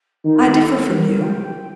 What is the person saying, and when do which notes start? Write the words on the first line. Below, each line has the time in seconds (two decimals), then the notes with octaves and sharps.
I differ from you.
0.25 D#3 D#4
0.36 F4
0.46 F4
0.52 G4
0.57 A4
0.89 G3 A#4
1.21 G5